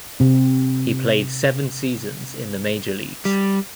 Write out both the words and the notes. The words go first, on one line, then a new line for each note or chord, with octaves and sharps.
He played seven seasons in the major leagues.
C3 C4
G3